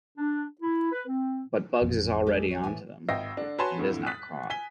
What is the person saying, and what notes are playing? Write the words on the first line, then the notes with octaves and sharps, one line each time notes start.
But Bugs is already on to them, and is not caught.
D4
E4
B4
C4
A1 F2
G#3 G4 A4
F#3 C#5
A2 E3 G#5
G#1 D#5 E5 G5 A#6 C7
D3 D4
F#4 B4 C#5 G#5 A5 C6
F2 A2 D3
D#6 F#6 A6 B6
G#5 B6 G7